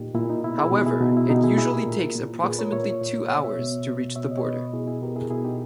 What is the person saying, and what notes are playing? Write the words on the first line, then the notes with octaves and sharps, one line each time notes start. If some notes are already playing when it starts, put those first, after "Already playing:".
However, it usually takes approximately two hours to reach the border.
Already playing: A#2 D#4 G4
A#2 E4
D#4
B2 E4
E4 G#4
B2 D#4 G4
E4 G#4
B2 D#4
E4
B2 D#4 G4
E4 G#4
A#2 E4 G#4
G4 A#4
A#2
A#2
A#2 G#4 B4
A#4 C#5
A#2 C#5 E5
A#2
B2 C#5 E5
C#5 E5
B2
B2
B2 C#5 E5
D#5
C#5
B2 B4 D#5
B2 E4 G#4
E4 G#4
B2 G4 A#4
E4 G#4
B2 E4 G#4
D#4 G4